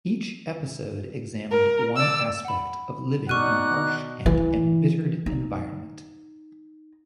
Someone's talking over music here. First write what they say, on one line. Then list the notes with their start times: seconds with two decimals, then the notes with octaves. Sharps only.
Each episode examined one aspect of living in a harsh and embittered environment.
1.51 A#4
1.96 D5 E6
2.45 F#5 B5
3.29 B2 D#4 D5 F#5 C#6 F6 F#6 D#7
4.26 E3
5.26 D#4